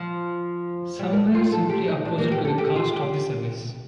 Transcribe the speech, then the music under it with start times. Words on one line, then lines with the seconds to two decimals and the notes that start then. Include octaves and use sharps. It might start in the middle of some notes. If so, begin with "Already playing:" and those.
Some were simply opposed to the cost of the service.
Already playing: F3
0.99 G3
1.13 A#3
1.17 A3
1.35 F4
1.52 A4
1.69 G4
1.88 D#4
2.05 D4
2.18 A#3
2.32 G4
2.45 A4
2.58 G4
2.76 F4
2.93 G4